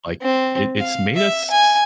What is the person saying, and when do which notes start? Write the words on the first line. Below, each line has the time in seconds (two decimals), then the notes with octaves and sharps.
like, it it's made us s
0.22 C4
0.78 F5
1.15 E5
1.50 G#5